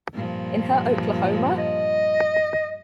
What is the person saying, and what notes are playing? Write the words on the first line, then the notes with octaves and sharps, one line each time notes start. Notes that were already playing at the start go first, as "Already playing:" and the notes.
In her Oklahoma!
G2 A#2 F3
D#5